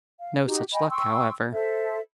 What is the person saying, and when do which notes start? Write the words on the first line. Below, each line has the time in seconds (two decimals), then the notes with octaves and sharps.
No such luck, however.
0.18 F5
0.45 D#4 F#4 G4
0.72 D#5 G5 G#5 B5
0.90 G5 C6 C#6 E6
1.53 A4 C5 E5